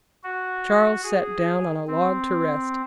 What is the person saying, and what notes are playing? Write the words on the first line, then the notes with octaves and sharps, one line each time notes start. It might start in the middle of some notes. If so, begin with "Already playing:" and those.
Charles sat down on a log to rest.
F#4
G#4
C4